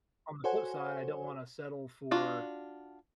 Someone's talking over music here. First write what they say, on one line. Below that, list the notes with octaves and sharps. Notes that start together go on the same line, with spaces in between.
On the flip side, I don't wanna settle for
F#4 A4 C5 C#5 F#5 G#5
D4 F4 F#4